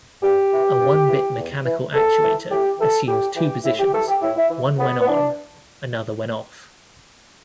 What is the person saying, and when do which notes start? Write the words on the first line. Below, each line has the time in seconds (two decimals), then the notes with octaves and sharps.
A one-bit mechanical actuator assumes two positions: one when on, another when off.
0.23 G2 G4
0.52 E3
0.80 G2
1.09 E3
1.37 E2
1.65 E3
1.94 E2 A4
2.23 E3
2.51 A2 G4
2.79 E3 A4
3.08 A2 G4
3.36 E3 G4
3.65 A2 E4
3.79 G4
3.93 E3 A4
4.08 G4
4.22 A2 E4
4.37 E4
4.51 E3
4.79 A2 B3
5.02 B3
5.08 E3 D4